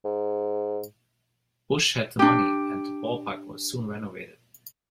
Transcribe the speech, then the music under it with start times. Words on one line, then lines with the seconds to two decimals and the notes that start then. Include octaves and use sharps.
Busch had the money, and the ballpark was soon renovated.
0.05 G#2
2.19 D4 G4